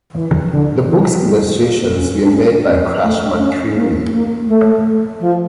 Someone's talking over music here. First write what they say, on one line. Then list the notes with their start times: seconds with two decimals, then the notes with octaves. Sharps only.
The book's illustrations were made by Crash McCreery.
0.13 E3
0.50 D3
0.86 E3
1.22 G3
1.58 A#3
1.94 C#4
2.23 D4
2.31 C#4
2.67 C#4
3.03 A3
3.38 C#4
3.75 A#3
4.11 A#3
4.47 A3
5.20 F3